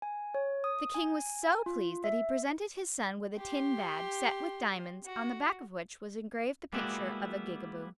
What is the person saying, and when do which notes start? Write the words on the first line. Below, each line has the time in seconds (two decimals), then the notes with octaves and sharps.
The King was so pleased that he presented his son with a tin badge, set with diamonds, on the back of which was engraved the picture of a Gigaboo.
0.02 G#5
0.35 C#5
0.64 D#6
0.95 G#5
1.66 F4
2.04 E5
3.37 G4 C6
5.05 F#4
6.73 G3 G#3 A#3 B3 E4 F#4